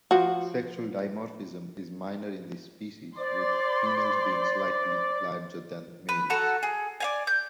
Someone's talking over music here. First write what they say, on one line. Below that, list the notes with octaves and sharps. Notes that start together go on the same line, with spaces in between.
Sexual dimorphism is minor in this species with females being slightly larger than males.
F3 F#4
C5 D5 C6
B4
F#4 A4 A#5 C#6
G#4
D5 F5 G#5
G6